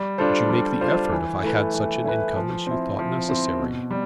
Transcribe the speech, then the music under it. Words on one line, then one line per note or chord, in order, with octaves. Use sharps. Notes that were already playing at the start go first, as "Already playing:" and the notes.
Would you make the effort if I had such an income as you thought necessary?
Already playing: G3
D4 F4 A4 C5
G3
D4 F4 A4 C5
E3
A3 E4 B4
E3
A3 E4 B4
F3
C4 E4
F3
C4 E4
B2
G3